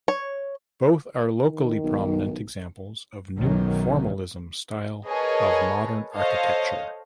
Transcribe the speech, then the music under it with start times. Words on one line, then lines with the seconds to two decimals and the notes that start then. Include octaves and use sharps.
Both are locally prominent examples of New Formalism style of Modern architecture.
0.08 C#5
1.48 D#3
1.84 B1
3.37 B1 F#2 D#3 F#3
5.07 G#4 A#4 B4 C#5 D#5 A5
6.16 A4 C5 C#5 D#5 F5 A5